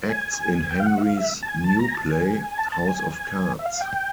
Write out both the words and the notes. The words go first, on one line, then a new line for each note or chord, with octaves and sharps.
Acts in Henry's new play, "House of Cards".
G#5
G5
F5
F#5
E5
F5
E5
A5
G#5
A5
A#5
G#5
A5
G#5
A5
A5
G#5
E5
F5
G5